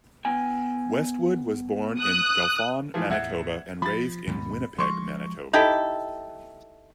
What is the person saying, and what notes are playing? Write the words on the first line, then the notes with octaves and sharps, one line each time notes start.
Westwood was born in Dauphin, Manitoba and raised in Winnipeg, Manitoba.
B3 G5 G#5
D#6 F#6
E3 F3
E2 A2 E5 F#5 G#6
F3 B5 A6
D#2 G#2 B2
F3 G#3 C6 C#6
D#4 E4 G4 A4